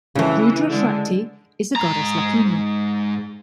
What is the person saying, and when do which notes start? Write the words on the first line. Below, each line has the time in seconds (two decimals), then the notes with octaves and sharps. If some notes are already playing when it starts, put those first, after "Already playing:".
Rudra's Shakti is the goddess Lakini.
0.15 C#3 E3 A3
0.70 D3 G#3
1.76 G#2 A#5